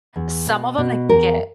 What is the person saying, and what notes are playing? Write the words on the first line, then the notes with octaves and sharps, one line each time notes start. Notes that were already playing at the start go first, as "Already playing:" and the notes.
Some of them, they can get
E2
B2
B2
E2 A#4